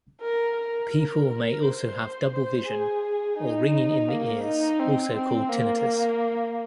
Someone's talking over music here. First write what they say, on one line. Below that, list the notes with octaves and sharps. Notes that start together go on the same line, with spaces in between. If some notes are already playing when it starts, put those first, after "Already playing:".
People may also have double vision or ringing in the ears, also called tinnitus.
A#4
A#4
A#4
C5
C5
G#4
D#4
A#3
D#4
C4
C4
A#3